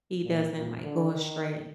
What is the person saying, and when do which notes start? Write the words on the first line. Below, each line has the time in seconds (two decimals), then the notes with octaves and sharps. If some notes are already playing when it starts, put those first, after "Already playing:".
he doesn't, like, go astray.
0.24 A#2
0.53 A#2
0.83 D3
1.13 D#3